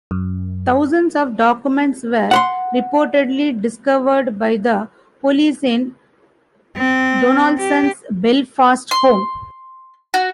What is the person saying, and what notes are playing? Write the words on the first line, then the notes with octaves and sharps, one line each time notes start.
Thousands of documents were reportedly discovered by the police in Donaldson's Belfast home.
F#2
F#5 B5 C6
C4
G4
C6
F#4